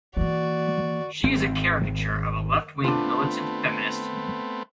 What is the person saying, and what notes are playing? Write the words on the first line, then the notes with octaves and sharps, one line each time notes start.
She is a caricature of a left-wing militant feminist.
E3 A#3 F#4 D5
G#1 C4
A3 B3 C4 D4 F4